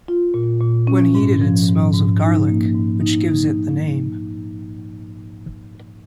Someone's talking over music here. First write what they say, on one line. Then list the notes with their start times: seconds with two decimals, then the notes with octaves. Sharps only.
When heated it smells of garlic, which gives it the name.
0.08 F4
0.34 A#2
0.61 A#2
0.87 C#4
1.15 G#2
1.42 F3
1.69 G#2
1.94 G#2
2.21 D#4
2.47 A#3
2.74 G#2
3.01 D#4
3.28 D#4